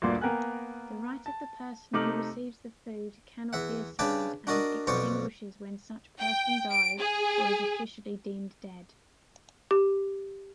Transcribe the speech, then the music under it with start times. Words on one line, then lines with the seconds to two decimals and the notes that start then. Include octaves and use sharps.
The right of the person who receives the food cannot be assigned and extinguishes when such person dies or is officially deemed dead.
0.02 D2 G2 A#2 A#3 D5 C6
0.21 A#3 B3 A#4 G5 G#5 F#6
1.26 A5
1.93 C3 A3 D#4 D6 F6 F#7
3.53 E2 E5 F#5
3.99 C#3 D4 B4 G5 A5 D6
4.47 D4 F#4 A#4 D5 D#5
4.87 B1 F2 B2 C5 D5 C#6
6.19 G5
6.70 D7
7.00 G#4
9.71 G4